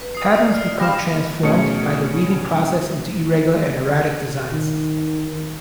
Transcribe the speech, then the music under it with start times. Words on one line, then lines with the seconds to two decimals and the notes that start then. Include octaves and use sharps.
Patterns become transformed by the weaving process into irregular and erratic designs.
0.01 B4
0.15 D#6 C7
0.32 D5 D#5
0.54 F6 C7
0.80 G3 F4 A#6 E7
1.43 B2 A3 C#4 G#4 C#7
4.53 D#3